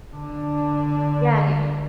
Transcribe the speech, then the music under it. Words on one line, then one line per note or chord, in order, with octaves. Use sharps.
Yeah, you
D3 D4